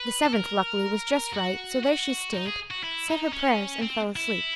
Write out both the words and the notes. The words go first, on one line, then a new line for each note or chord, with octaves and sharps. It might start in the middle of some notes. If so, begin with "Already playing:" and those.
The seventh, luckily, was just right; so there she stayed, said her prayers, and fell asleep.
Already playing: B4
A4
A#4
F#4
F#4
D#4
G#4
F#4
E4
D#4
C#4
C4
E4